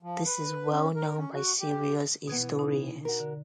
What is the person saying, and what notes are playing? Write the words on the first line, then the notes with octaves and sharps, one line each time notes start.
This is well known by serious historians.
F3
B4
C#4
A#4
C#4
F#4
G4
B2 E3 B3 G#6
D#4
F#4 A#4
D3